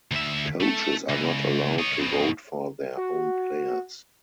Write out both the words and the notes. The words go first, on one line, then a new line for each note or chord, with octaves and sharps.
Coaches are not allowed to vote for their own players.
D2 E5
A3 A4
C#2
C#5 D#5
F2 B2
F#4